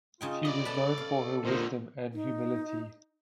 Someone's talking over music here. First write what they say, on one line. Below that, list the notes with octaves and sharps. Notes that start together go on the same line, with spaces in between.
She was known for her wisdom and humility.
C#3 D#4 F4 G5
D5 D#5 B5
A4 B4 A5
F5
A#2 D3 A#4 C5 D#5
D#4